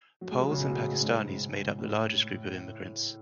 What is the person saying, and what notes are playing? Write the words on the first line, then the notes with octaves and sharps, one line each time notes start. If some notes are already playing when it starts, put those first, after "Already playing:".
Poles and Pakistanis make up the largest groups of immigrants.
F#3
G#3
F#3
C#3
B2
A2
B2
G#2
A2